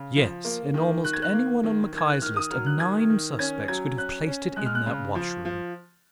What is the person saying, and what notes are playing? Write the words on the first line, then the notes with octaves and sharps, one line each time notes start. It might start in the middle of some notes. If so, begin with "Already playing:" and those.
"Yes, and almost any one on Mackay's list of nine suspects could have placed it in that washroom."
Already playing: C#3
F3
A#3
D#3
D#3 F#6
G#6
F#6
A#3
D#3
D#3
G#6
F#6
D#3 F6
D#6
F#3 F6
F#6
D#3 G#6
D#3
C#4 G#6
F#3 G#6
C#4 F#6
C#4
G#3 F#6
F6
F#6
C#3
F3
F3